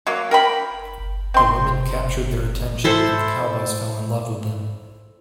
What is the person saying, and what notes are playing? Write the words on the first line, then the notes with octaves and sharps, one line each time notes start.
The women captured their attention, and the cowboys fell in love with them.
F#3 A#3
A#4 G5 B5
C4 C6
E4 A4 C5